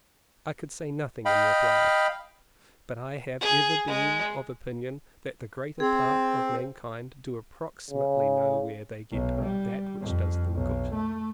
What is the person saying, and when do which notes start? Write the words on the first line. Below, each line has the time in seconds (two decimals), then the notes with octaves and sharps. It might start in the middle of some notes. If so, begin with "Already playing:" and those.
I could say nothing in reply, but I have ever been of opinion that the greater part of mankind do approximately know where they get that which does them good.
1.25 D#5 F5 G5 B5
3.41 G#4
3.87 G#3
5.80 C4 G#4
7.91 C#3
9.12 B1
9.43 G3
10.01 F2
10.54 B1
10.95 A3